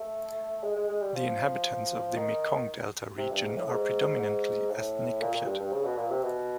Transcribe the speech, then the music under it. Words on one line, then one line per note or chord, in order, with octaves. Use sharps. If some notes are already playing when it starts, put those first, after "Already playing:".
The inhabitants of the Mekong Delta region are predominantly ethnic Viet.
Already playing: A3
G#3
G#3
G#3
G3
F3
D#3
C3
G2
G#2
A2
G#2
G#2
A2
A#2
A#2
G2
G2
C#3
B2
A#2
C3
B2